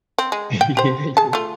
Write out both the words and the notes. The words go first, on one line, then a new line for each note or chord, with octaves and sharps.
Yeah, yeah.
C4
G#3
G5
G4 C5
G#4 A5
A3 F4